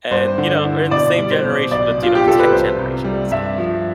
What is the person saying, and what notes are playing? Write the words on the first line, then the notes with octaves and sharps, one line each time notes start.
and, you know, we're in the same generation, th you know, the tech generation basically,
G2 C5
D3
E4
B2 D5
G3
C5
B2
B1 D5
B2
F4
G4
F4 A4
B4
C2 C5
C3
G3
G2 E5
F3